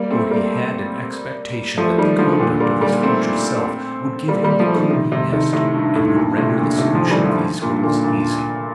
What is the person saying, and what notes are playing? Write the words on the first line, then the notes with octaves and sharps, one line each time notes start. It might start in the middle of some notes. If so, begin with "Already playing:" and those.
For he had an expectation that the conduct of his future self would give him the clue he missed, and would render the solution of these riddles easy.
Already playing: G3 A#3
A3 C4
G3 A#3
F3 A3
D#3 G3
D3 F3
D#3
A#2 D3
G3 A#3
G3 A#3
A3 C4
G3 A#3
G3 A#3
F3 A3
D#3 G3
C3 D#3
C3 D#3
C3 D#3
A2 C3
G2
A2
G2 A#2
A2 C3
A#2 D3
C3 D#3
D3 F3
D#3 G3
D3 F3
G2 A#2
A#2 D3
G2 A#2